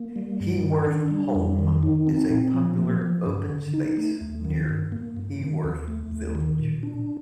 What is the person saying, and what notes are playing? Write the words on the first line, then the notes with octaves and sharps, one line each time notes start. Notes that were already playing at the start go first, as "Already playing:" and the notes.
Heworth Holme is a popular open space near Heworth village.
Already playing: A#3
G3
G2
D#3
D4
G3
F2
D#3
D#4
C4
A#2
F3
A#3
F3
G2
D3
D#4
A3
D#2
D#3
G2
A#3
G2
D#3
D#2
A3
D#2
D#3
A#2
D4